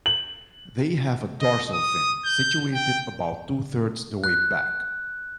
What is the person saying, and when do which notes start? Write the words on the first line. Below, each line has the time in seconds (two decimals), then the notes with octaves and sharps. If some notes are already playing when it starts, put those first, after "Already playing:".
They have a dorsal fin, situated about two-thirds the way back.
0.06 F#7
1.41 D#5
1.73 D#6
2.25 G6
2.74 G5
4.24 F#6